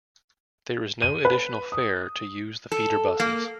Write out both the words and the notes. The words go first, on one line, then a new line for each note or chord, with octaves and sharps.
There is no additional fare to use the feeder buses.
D#7
B4
D#6
A4
A#3